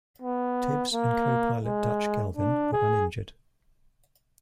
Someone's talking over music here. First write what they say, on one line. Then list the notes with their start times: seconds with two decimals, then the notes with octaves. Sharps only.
Tibbs and co-pilot Dutch Gelvin were uninjured.
0.22 B3
0.93 A#3
1.65 G#3
2.37 D4
2.73 G#4